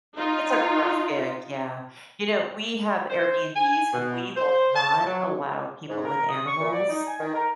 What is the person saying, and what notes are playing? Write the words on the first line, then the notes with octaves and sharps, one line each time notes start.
that's a rough gig, yeah. You know, we have Airbnb's, and we will not allow people with animals
D#4 F4
C5
G#5
B2
C5
A5
F#3
G#2
A#4
D#6
C#6
A#2
D5
D#4
G#5
D#3
A#4